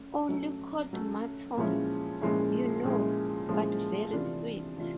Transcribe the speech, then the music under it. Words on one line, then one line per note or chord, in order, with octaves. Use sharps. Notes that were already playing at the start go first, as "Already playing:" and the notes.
Only cold mutton, you know, but very sweet.
Already playing: A3 C#4
F#3 A3 C#4
F#3 A3 C#4
A#2 F3 G#3 C#4 E4
A#2 F3 G#3 C#4 E4
A#2 F3 G#3 C#4 E4
A#2 F3 G#3 C#4 E4
C3 E3 A3 D4 F4
C3 E3 A3 D4 F4